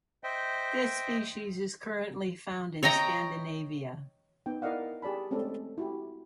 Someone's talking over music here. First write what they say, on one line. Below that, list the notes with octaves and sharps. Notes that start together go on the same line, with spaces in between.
This species is currently found in Scandinavia.
C5 D#5 E5 G5
C#5 D#5 G5 A#5
B3 D#4 G5
E4 A#4 D5 D#5 F5 F#5
G4 G#4 D5 A5 B5
G#3 A3 C4 C#4 A4 D5
E4 F#4 G4